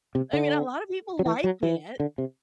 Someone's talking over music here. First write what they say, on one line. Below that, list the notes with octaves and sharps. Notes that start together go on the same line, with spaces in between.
I mean, a lotta people like it.
C3
D3
F#3
E3
F#3
E3
D3
C3